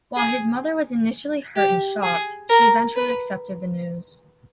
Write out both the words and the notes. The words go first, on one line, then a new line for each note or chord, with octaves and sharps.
While his mother was initially hurt and shocked, she eventually accepted the news.
G#4
G4
G#4
A#4
B4